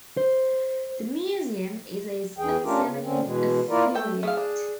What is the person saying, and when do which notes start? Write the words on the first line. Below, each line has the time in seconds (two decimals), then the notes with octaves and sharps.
The museum is a Smithsonian Affiliate.
0.17 C5
2.38 E2 E3 G#4 G5
2.64 A3 C#4 D4 F4 G4 A#4
2.85 C#3
3.03 D3 C4 C#4
3.22 B2 E3 G#3
3.69 A#3 E4 F4 A#4 D5
3.95 A3 A4 G5
4.23 A3 G#4 F5
4.37 D4